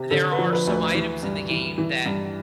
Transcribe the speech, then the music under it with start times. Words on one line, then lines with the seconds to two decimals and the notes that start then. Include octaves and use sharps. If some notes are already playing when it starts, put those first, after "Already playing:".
there are some items in the game that
Already playing: C3
0.11 D3 A4
0.32 B4
0.39 F3
0.53 B4
0.67 D2
0.74 B4
0.95 E3
1.23 G2
1.51 E3
1.78 E3
2.06 G2